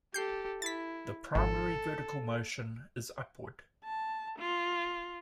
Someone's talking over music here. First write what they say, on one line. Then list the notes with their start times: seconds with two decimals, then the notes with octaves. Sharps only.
The primary vertical motion is upward.
0.14 G4 A4 G6 C7
0.62 E4 A6 B6
1.35 G#1 A4
3.85 A5
4.39 F4